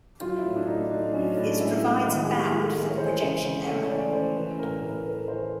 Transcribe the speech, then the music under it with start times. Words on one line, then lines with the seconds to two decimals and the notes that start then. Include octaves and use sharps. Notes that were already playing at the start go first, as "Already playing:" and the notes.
It provides a bound for the projection error.
0.21 F#3 F4
0.38 E4
0.45 A2
0.56 D4
0.67 A2 D#4
0.73 D4
0.91 A3 D4
1.13 F#3 C#4
1.37 A2 D4
1.59 G#3 E4
1.83 G#3
1.94 E4
2.06 D#3
2.24 G#4
2.29 D#3 G4
2.46 G#4
2.52 G#3
2.63 A4
2.75 G#3
2.80 A#4
2.90 C#5
2.98 E3 C5
3.22 C#3
3.44 C#3
3.67 A3 C#5
3.90 E3 D5
4.13 C#3 C5
4.36 E3 B4
4.59 A2 A#4
4.82 A2 A#4
5.05 A3 B4
5.28 E3 C5